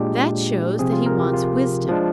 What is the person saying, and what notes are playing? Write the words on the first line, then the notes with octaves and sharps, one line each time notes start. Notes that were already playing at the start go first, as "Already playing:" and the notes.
That shows that he wants wisdom.
Already playing: A#2 G#3 D4 G4
C3 F3 C4 G#4
F4
A#4
G4
F4
F3 G#3 D4